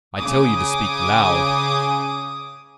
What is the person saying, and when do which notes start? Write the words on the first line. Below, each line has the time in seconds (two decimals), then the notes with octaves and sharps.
"I tell you to speak loud."
0.17 C#3 G#5 D6 D#6